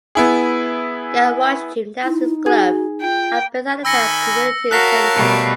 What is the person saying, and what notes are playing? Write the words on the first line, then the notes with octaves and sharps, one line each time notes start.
Garioch Gymnastics Club are based at the towns Community Centre.
B3 E4 G#4
D#4 E4
F#4 G#4
F4 G5
D#3 G#5 B5 E6 A#6 C#7
F#4 A#4 C#5 F5 A5 F#6 B6 C7
B2 G3 A3